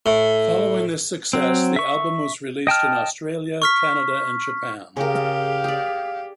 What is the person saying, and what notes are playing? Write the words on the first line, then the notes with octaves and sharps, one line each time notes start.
Following this success the album was released in Australia, Canada and Japan.
A2
F#3 C4
E5 C#6
D#5 G5 A5 F6
C#6 F6 B6
C#3 G4 G#4 A#4 F5
G#4 D5 G5